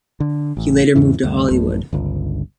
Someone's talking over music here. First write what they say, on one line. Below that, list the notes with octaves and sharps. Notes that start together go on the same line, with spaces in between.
He later moved to Hollywood.
D3
A1
E2 G#2 C#3 E3
D2 G2
A1 F#2 A2
G1 C#2